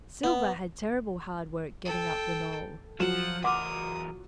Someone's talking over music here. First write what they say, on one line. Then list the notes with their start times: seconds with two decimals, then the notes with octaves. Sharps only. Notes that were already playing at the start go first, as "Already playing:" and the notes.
Silver had terrible hard work getting up the knoll.
0.24 B3
1.85 A4 G5
3.00 F3 F#3 F4 F#5 E7
3.44 E2 A#4 F#5 C6 D6 D#6